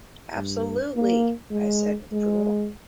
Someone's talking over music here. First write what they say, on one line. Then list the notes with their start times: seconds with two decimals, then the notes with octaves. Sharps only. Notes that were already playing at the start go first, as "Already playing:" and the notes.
"Absolutely," I said with approval.
0.35 G2
0.96 A#3
1.51 G#3
2.12 G#3